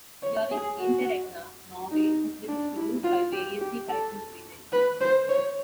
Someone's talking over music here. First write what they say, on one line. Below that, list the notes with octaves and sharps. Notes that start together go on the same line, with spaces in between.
During interregna, Norway has been ruled by variously titled regents.
C#5
G#4
F#4
D#4
D4
E4
F4
G4
G4
A4
B4
C5
C#5